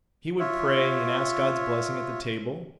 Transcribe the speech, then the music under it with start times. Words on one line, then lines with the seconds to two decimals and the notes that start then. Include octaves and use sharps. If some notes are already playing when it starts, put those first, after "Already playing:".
He would pray and ask God's blessings at the table.
0.40 F4 C#5 E5